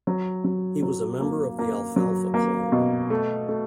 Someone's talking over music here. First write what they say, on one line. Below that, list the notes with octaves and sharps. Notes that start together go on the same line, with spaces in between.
He was a member of the Alfalfa Club.
F#3
F#3
F#3
A#3
A#3
F#3
A#3
B2
A3
A3